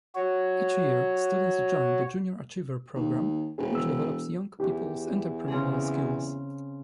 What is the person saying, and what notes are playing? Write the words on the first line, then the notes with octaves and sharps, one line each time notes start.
Each year, students join the Junior Achiever programme which develops young peoples' entrepreneurial skills.
F#4 C#5
D#2
E1 G#4
E3 B3 E6
E2 G4
C#3 C4 G#4